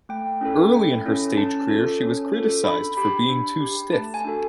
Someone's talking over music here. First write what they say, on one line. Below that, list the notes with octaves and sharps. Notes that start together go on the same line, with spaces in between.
Early in her stage career, she was criticised for being too stiff.
A3 G5
C#4 E4 A4
A3
C#4 E4 A4
C#4 A5
F4 A4
C#4
F4 A4
D4 B5
G4 B5
D4
G4
A3 A5
G#5
D4 F#4 A4